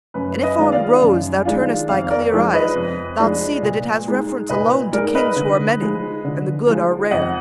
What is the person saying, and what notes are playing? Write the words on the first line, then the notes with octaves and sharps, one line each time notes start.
And if on 'rose' thou turnest thy clear eyes, Thou'lt see that it has reference alone To kings who're many, and the good are rare.
F#2 B4
B4 D#5
D#3 G#3 D4 F4
D5 F5
F#2
D#3 G#3 D4 F4
F2 D5 F5
A#4 D5
F3 G#3 D4
B4 D#5
F2
F3 G#3 D4
A#2
G#3 D#4
A#2 B4 D#5
G#3 D#4 A#4 D5
B4 D#5
D3
F3 G#3
D3
F3 G#3
F2 D#5 F#5